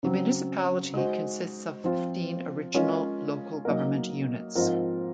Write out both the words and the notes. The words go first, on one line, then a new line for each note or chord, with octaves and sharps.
The municipality consists of fifteen original local government units.
C#3 F#3 C4
G#3 D#4 F#4 C5
F3 C4 F4
G#3 C#4 F4 A#4 C#5
F#3 A#3 D#4 A#4
G#2 F3 C4 F4 A#4